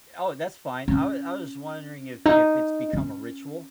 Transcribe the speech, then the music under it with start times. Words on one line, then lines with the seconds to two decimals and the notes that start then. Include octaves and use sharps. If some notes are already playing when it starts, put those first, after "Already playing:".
Oh, that's fine. I wa I was just wondering if if it's become a ritual
0.88 C#4
2.25 D#4
2.93 C#4